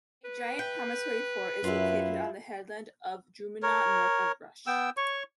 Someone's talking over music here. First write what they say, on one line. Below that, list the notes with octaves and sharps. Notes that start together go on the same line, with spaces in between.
A giant promontory fort is located on the headland of Drumanagh, north of Rush.
B4
G5
F#2 E4 F4
A#4 C#5
B3 G5 E6
C#5 C#6